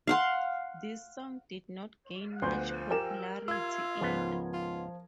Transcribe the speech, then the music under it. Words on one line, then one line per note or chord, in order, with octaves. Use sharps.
This song did not gain much popularity either.
F5 F#5 C6
D2 F3 B3 C6 G6
G4 A#4 G#5 E7
F4 E6 G#6
C#2 G#2 F3 B3
F4